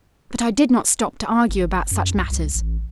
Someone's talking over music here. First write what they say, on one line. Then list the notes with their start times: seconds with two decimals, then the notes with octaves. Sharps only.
But I did not stop to argue about such matters.
1.49 G1
1.91 F#2
2.16 B1
2.30 C2
2.55 A1